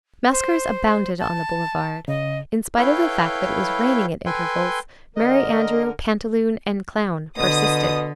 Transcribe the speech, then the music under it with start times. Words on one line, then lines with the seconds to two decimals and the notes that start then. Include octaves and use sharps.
Maskers abounded on the boulevard. In spite of the fact that it was raining at intervals, Merry-Andrew, Pantaloon and Clown persisted.
0.32 C5
1.19 A5
2.08 C#3 D#5
2.77 E4 A4 B4 C#5 F5 G5
4.26 A4 B4 G5 G#5 C6
5.16 D3 A#4 D#5
7.38 B2 D3 D#6